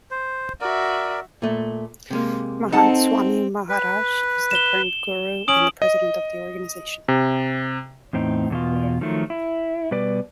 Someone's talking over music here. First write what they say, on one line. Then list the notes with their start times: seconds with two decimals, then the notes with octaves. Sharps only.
Mahant Swami Maharaj is the current Guru and the president of the organization.
0.11 C5
0.61 F#4 A#4 D5 E5
1.42 A#2 A3
2.10 C3 G#3 A#3
2.72 C4 D#4 A4 F#5 A5
3.69 B4
4.51 E7 G7
5.48 C#4 D#6 D7 F#7
5.82 D#5
7.08 C3
8.13 E2 A2 C4 D#4
8.50 E2 B2 F4
9.01 D#3 F3 F#3 A3
9.30 E4
9.91 B2 G3 B4 D5